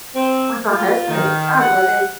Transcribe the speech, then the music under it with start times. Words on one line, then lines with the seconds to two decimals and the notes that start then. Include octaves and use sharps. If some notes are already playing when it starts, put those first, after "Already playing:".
with my husband, I love him,
0.15 C4
0.71 F4
1.08 D#3
1.60 F#5